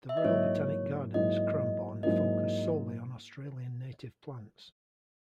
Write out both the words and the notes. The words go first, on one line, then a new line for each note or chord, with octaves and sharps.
The Royal Botanic Gardens, Cranbourne focus solely on Australian native plants.
E5
D#5
G#2 F#3 A#3 E4 C#5
G#2 F#3 A#3 E4 D#5
G#2 F#3 A#3 E4 D#5